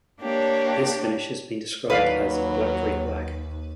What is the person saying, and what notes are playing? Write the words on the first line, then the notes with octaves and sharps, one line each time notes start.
This finish has been described as "blackberry black".
A#3 D4 G4 C#5
D#2 F#3 B4 D5 F5 B5